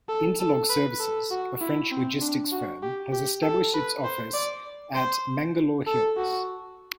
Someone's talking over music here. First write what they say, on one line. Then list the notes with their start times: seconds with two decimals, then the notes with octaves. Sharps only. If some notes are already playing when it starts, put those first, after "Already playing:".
Interlog Services, a French logistics firm has established its office at Mangalore Hills.
0.09 A4
0.40 A4
0.70 B4
1.00 A4
1.31 F#4
1.61 E4
1.92 C4
2.22 D4
2.52 F#4
2.83 G4
3.12 G4
3.43 A4
3.74 B4
4.04 C5
4.34 D5
4.95 C5
5.87 A4
6.17 F#4